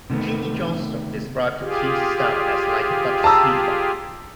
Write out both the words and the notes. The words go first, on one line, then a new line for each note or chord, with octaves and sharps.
Jimmy Johnstone described the team's style as like the Dutch speeded-up.
C3 D#3 A3 B3
F4 G4 G#4
A5 A#5 E6